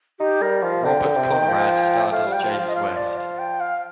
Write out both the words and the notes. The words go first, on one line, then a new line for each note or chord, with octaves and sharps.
Robert Conrad starred as James West.
D#4 G4
G3 A#4
F3 F5
D3 G5
D3
C3
D#3
F3
A3 F5
G3
G5
G3
F3
F5
F3
D#5
F5
D5
F5
G5
F5